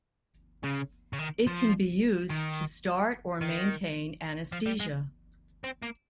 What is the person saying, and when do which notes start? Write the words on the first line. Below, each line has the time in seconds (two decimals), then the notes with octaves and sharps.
It can be used to start or maintain anesthesia.
0.64 C#3
1.13 C#3
1.19 D#3
1.47 F3
2.30 D#3
3.41 D#3
4.52 F3
4.66 G3
4.80 G#3
5.64 C4
5.82 A#3